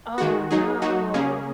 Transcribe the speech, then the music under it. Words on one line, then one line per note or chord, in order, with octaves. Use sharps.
Oh, no.
D#3 G#3 F#4
F#3 D#4 G#4
F#3 D#4 F#4
C#3 A#3 C#4 G#4